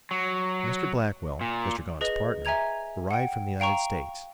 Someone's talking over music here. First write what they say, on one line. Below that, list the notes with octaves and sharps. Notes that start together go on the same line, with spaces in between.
Mr. Blackwell, Mr. Gaunt's partner, arrived from the United States.
F#3
A#2
G#4 B4 D#5
E5 G#5 A#5 G#6 F7
F#5 G5
F5 G5 A#5 C#6